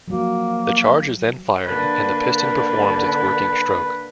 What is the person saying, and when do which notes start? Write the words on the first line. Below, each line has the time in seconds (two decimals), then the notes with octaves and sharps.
The charge is then fired and the piston performs its working stroke.
0.08 F3 F#3 A#3 F#4
1.67 D3 A#3 B4